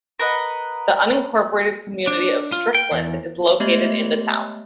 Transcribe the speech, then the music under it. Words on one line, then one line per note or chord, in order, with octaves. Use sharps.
The unincorporated community of Strickland is located in the town.
A#4 B4 D#5 F#5
D4
F4
G5
E2
G#3 A3 B3 G4 D#5 E5